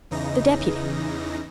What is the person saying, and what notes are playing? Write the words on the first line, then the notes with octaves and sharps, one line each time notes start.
"The deputy."
E2 C#3 E3 D#4 A#6